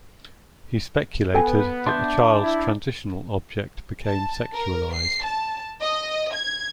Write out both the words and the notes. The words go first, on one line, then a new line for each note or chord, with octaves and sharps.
He speculated that the child's transitional object became sexualized.
B3 A4 G5 G#5
D4 E5 C6 G6
E4
A5
A#4
C7
A5
D#5
G#6